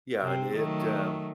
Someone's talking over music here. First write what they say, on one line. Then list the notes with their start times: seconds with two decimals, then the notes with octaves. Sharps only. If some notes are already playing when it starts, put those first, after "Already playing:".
Yeah, and it, um,
0.22 C3 C4
0.54 D#3 F#3 A3